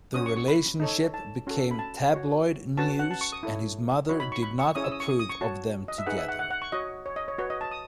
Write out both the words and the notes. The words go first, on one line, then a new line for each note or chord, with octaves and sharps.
The relationship became tabloid news and his mother did not approve of them together.
C#4 F#4 C#5 D#6
C#6
C#6
B5
D#4 A4 C#5
A5
C#4 F#4 A4
B5
A5
F#4 C#5
C#4 F#4 B4 A5
F#5
A5
C#6
D#6
E4 A4 C#5
D#4 F#4 C#5 B5
B5
C#6
B5
C#6
C#4 E4 G#4 C#5 D#6
E6
D#6
C#6
D#6
D#6
C#6
F#4 C#5 A5
D#5
E5
D#4 G#4 B4 F#5
E5
F#5
F#5
F#5
C#6
F#4 C#5 D#5
C#5
D#5
C#5
F#4 B4 C#5
D#5
A5
D#6